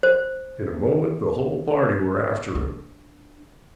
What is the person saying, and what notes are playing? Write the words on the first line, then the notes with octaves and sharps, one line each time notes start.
In a moment the whole party were after him.
C5
D4